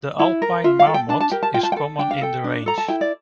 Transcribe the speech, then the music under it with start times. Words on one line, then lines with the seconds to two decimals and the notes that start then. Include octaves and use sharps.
The Alpine marmot is common in the range.
0.19 E4
0.42 A#4
0.64 F4 E5
0.79 F5
0.86 A4
0.94 G5
1.09 D4 A5
1.20 A5
1.31 G4 A#4 G5
1.43 A5
1.54 F4 G5
1.63 A5
1.72 G5
1.76 A4
1.99 D4 G5
2.11 F5
2.21 A4 G5
2.44 D4
2.66 A4 A#5
2.78 A5
2.88 E4 G5
3.01 D5